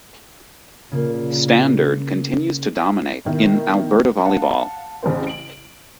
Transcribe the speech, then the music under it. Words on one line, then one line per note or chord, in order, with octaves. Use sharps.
Standard continues to dominate in Alberta Volleyball.
A#2 C#3 A#3
B2 D#3 E4 A#4
F5 F#5 A5
A1 C#3 C4 C5
D7 F#7